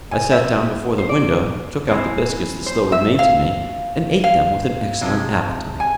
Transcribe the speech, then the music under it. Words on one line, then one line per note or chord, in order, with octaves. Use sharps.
I sat down before the window, took out the biscuits that still remained to me, and ate them with an excellent appetite.
G#5
E5
C5
D5
B2 G#3 C4 E4 C5
C5
E5
F5
F5
C3 F3 G#3
G#5